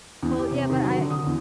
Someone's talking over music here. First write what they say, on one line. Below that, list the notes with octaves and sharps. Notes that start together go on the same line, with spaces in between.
Well, yeah, but I
E2
G4
C3
D#3
F#3
D3
D#6
E2